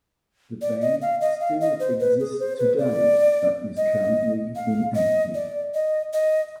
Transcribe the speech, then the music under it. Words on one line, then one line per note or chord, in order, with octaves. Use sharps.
The band still exists today, but is currently inactive.
D5
D#5
F5
D#5
F5
D#5
C5
B4
G#4
C5
B4
D5
D#5
F5
D#5
D5
D#5
D#5